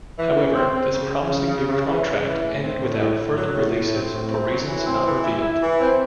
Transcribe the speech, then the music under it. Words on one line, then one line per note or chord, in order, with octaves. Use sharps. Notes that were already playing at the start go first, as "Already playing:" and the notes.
However, this promising new contract ended without further releases for reasons not revealed.
E3
C#3
C4
C4
C#3
C#3
C#3
C#3
C#3
E3
C#3
E3
A2
C4
A2
A2
A2
F#3
A2
A2
C4
A2
C4
F#3
E3
C4
E3
E4
E4
E3
C4